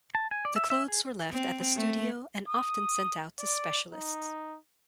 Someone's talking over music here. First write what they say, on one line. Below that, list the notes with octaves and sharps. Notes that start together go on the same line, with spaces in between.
The clothes were left at the studio and often sent out to specialists.
A5
G#5
D5
E5
E5
G#4
C4
A3
D#6
D5
D#4